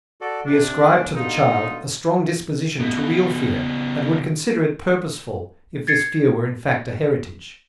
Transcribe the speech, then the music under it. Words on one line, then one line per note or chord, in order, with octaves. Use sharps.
We ascribe to the child a strong disposition to real fear and would consider it purposeful if this fear were in fact a heritage.
F#4 A4 D5
C3 D4
A#3 C#4
B2 D3 D#4 F4
C#3 B3
G#6 A6 C7 C#7